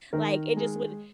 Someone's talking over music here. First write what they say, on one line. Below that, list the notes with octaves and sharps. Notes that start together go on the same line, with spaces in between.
like, it just would
D#3 A#4
G#3